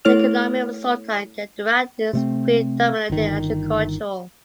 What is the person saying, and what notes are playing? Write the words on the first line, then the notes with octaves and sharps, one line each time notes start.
The economy of Sultan Kudarat is predominantly agricultural.
A3 E4 A4 C#5 F6 F7
C3 A3 C4
G1 D#3